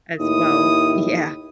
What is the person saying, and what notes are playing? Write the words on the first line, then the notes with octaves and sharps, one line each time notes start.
As well. Yeah,
D#2 A2 E4 D#6